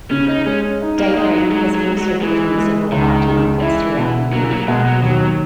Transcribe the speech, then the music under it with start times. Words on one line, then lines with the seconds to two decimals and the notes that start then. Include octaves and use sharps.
Daybreak has also put on several art markets throughout the year.
0.11 C#3 C#4
0.28 D#4
0.46 G#3 C#4
0.81 D#4
0.99 A#3
1.16 G#3 D#4
1.34 F#3
1.51 F#3 G#3
1.75 F#3
1.87 G#3
1.98 F#3
2.21 E3 G#3
2.56 G#3
2.92 C#2 D#3
3.28 G#3
3.62 E3 E4
3.97 B2
4.32 F#3 A#3
4.44 E3
4.51 F#3
4.68 B2 G#3
4.86 F#3
5.03 D#2 F#3